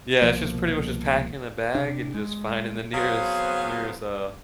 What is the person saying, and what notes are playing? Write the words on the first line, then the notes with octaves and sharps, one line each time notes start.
yeah, it's just pretty much just packing a bag and just finding the nearest nearest, uh,
C2 B2 F3 A#3
C3 D4
G#3
F#3 B3 C4 G#4 C5 F5